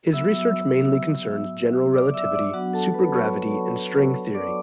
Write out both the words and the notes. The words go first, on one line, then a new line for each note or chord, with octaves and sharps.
His research mainly concerns general relativity, supergravity and string theory.
F#3 B3 F#4 E5 E6
D5 D6
E5 E6
D5 D6
F#3 B3 D4 F#4 F#5
A4 A5
B4 B5
C#5 C#6
D5 D6